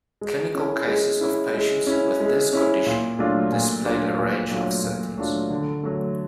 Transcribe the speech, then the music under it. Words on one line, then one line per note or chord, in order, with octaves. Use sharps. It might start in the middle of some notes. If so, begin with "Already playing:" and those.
Clinical cases of patients with this condition displayed a range of symptoms.
G#3
C#4
E4
G#3
C#4 E4
G#3
C#4 E4
G#3
C#4 E4
A#2
F#3 A3 D4 F4
A#2
F#3 A3 D4 F4
A#2
F#3 A3 D4 F4
A#2
F#3 A3 D4 F4
D3
F#3 A3